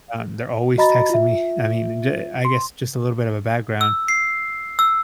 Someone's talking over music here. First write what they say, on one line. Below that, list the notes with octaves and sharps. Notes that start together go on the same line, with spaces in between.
um, they're always texting me I mean, the I guess, just a little bit of a background.
F#4 D#5 A#5 B5 A6
F4 E5
C6
E6
C7
E6